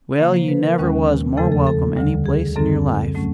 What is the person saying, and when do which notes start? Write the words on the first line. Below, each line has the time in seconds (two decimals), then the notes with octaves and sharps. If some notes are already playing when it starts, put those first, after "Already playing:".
Well, you never was more welcome any place in your life.
0.19 C#3 F3 A#3 F5
0.34 C5
0.48 B4
0.63 A#4
0.78 D#2 D#3 G#3 C#4
1.37 E2 C#3 F3 A3 A4
1.52 A4
1.67 A4
1.96 D2 D3 G3
2.26 G#4
2.56 F#2 D3 G3 C4 A4
3.15 A2 F#3 A3 C#4